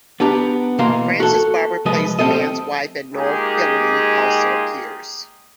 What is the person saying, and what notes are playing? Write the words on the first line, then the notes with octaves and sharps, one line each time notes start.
Frances Barber plays the man's wife, and Noel Fielding also appears.
B3 D4 G4 A#5
B2 E3 A#3 F5 A#5 C6
F#4 A4
C2 F3 G#3 B4 D#5
F3 G3 C4 A4 D#5
G#3 A#3 D#4 F4 G4 G#4